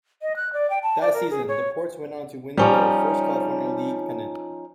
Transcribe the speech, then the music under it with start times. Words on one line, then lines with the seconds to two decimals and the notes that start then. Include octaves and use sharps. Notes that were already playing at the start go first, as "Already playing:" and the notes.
That season, the Ports went on to win their first California League pennant.
0.22 D#5
0.36 F#6
0.53 D5
0.70 G5
0.83 A5
1.01 D5
1.14 A#4
1.30 G#4
1.48 C#5
2.58 F3 G3 C#4 D#4